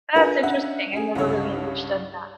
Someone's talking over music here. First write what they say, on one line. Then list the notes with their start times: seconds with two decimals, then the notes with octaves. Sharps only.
That's interesting. I never really understood that.
0.15 D4 F4 G#4 A#4 B4
0.43 C#4 D4 E5 F#5
0.93 C#4 G#4
1.15 C2 G2 C#3 C#5